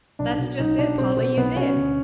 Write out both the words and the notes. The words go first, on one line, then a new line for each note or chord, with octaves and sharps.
That's just it, Polly, you did.
B1 D4
B2
B1 D#4
B2 D4
B1 C4
B2 C4
B1 B3
B2 C#4
D2